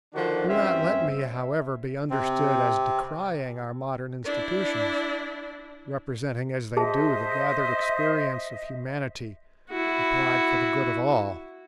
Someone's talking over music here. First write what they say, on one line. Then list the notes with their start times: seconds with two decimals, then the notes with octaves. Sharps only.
Do not let me, however, be understood as decrying our modern institutions, representing as they do the gathered experience of humanity applied for the good of all.
0.14 D3 D#3 F3 D4 F#4
0.49 G2 C4 C#4 E5
2.10 C3 C4
4.25 D4 E4
6.77 G#4 C5 D#5 E5 A5
9.70 E4 F#4